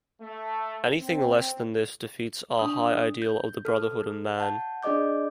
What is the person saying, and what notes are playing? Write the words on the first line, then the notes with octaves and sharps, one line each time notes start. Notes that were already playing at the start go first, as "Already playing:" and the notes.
Anything less than this defeats our high ideal of the brotherhood of man.
A3
C4
D4 D#6
G6
A4 F6
F#5 A5 G6
D4 G#4 D5 D#5 D6 G6